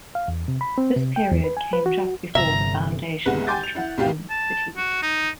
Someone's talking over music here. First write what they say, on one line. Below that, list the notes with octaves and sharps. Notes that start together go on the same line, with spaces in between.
This period came just before the foundation of Etruscan cities.
F5
E2
C3
B5
C4
C3
G5
E2
B4
G#5
B4
F#4
G1 C3 E5 A#5
G1 C2 G#3 B4 F#5
G5 G#5 C6 D6 G6 A6
F7
E4 F#5
C2 A2 G4 F5 G5
A5
F#4
D#4